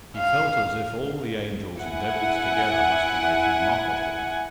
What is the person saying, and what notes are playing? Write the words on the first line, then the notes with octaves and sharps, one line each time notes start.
He felt as if all the angels and devils together must be making a mock at him.
F5
E4 F#5 G#5